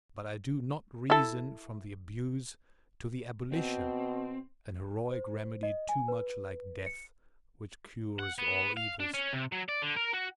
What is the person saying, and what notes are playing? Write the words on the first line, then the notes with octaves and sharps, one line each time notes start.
But I do not reason from the abuse to the abolition,--an heroic remedy too much like death, which cures all evils.
E4 A4
B2 C4
C5
D#5
G#5
B4
C#7
F#5
B3
F5
D4
C#4
C3
F#3
D5
D3
A#4
F#4